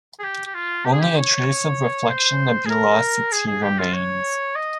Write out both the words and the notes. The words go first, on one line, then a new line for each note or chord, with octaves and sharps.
Only a trace of reflection nebulosity remains.
G#4
G4
G4
F4
G4
G#4
G4
C#5
C5
G#4
A#4
G#4
G#4
G4
F4
C#5
D#5